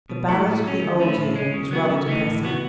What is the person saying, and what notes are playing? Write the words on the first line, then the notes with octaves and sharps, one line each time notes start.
The Ballad of the Old Year is rather depressing.
B2
F#3 A3 E4
A2
F#3 C#4
D#3
A3 C#4 E4
A2
G#3 C#4
C#3
F#3 B3 F#4
C#3
E3 A3 D#4
A2
E3 B3 F#4